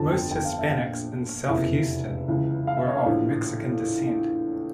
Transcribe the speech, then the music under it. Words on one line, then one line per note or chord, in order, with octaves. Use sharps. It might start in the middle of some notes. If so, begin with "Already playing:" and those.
Most Hispanics in South Houston were of Mexican descent.
Already playing: G1 F2 D3 A5
G5
G5
F5
E5
A#1 A#2 F5
F1 E2 C#3 E3 E5
C#2 C#3 E3
F5
E5
C#5
F5
A#1 A2 E3